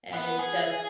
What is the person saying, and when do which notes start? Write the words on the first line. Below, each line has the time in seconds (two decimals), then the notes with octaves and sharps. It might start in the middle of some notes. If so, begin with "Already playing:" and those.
and it's just,
0.13 B3
0.39 G#4